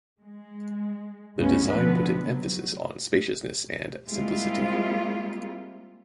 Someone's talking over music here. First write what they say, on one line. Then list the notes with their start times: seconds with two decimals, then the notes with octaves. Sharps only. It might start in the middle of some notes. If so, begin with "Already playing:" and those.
The design put an emphasis on spaciousness and simplicity.
0.22 G#3
1.39 D2 G2 C#3 G#3 B3 C#4
1.72 B2 D3 F3 B3 C4 B4
2.21 F#3
4.07 G3 G#3 A#3 C4 E4 F4